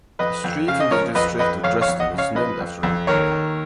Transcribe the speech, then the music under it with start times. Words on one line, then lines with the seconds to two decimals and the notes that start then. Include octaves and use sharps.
A street in the district of Dresden is named after him.
0.19 F2 B4 D#5
0.44 F2
0.68 C#3 F5
0.80 D#5
0.91 F3 A#4 C#5
1.15 F2 B4 D#5
1.39 F2 B4 D#5
1.63 F2 C#5 F5
1.81 C#5 F5
1.88 F2
2.00 D#5 F#5
2.12 C#3
2.18 C#5 F5
2.35 F3 B4 D#5
2.60 F2
2.83 F2
3.07 D#2 A#4 C#5
3.31 D#2